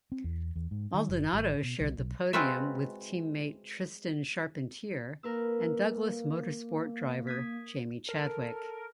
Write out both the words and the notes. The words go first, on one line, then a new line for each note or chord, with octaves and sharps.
Maldonado shared the podium with teammate Tristan Charpentier and Douglas Motorsport driver Jamie Chadwick.
C4
E2
E2
G#2
D#3
F#1
G#1
B2
C2
B1
G#3 C4 F4 F#4 B4 E5
A#3 A#4 B4 E6
D#6 G#6 B6
A4 A#4